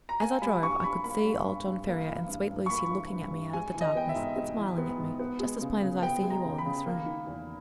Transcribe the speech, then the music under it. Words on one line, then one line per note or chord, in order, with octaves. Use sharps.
As I drove, I could see old John Ferrier and sweet Lucy looking at me out of the darkness and smiling at me, just as plain as I see you all in this room.
A#5
A#3 G#5
G3 B5
G2 C#6
G2 B5
A#3 B5
G3
G2
G2
A#3
E3
G2
G2
C#6
A#3 B5
E3
G2
G2
G#3 G#5
E3
D#5
B3 G5
E5
G#2
G#3 E5
E3
B3
G#2
B3
G#3
C#3
C#3
B3 G5
G#3
A#5
C#3
B5
C#3
A#3
D#3
E2